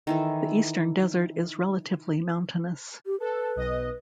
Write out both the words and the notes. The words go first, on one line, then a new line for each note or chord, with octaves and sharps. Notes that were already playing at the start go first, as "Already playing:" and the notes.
The Eastern Desert is relatively mountainous.
D#3 E3 A4
G4
A4 B4
B1 D#5